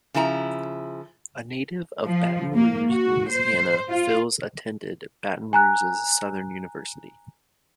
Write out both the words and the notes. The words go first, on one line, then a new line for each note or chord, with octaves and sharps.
A native of Baton Rouge, Louisiana, Phills attended Baton Rouge's Southern University.
C#3 F3 E4 A5 A#5
F3
A#3
F#4
C5
F4
G#5 A#5 F#6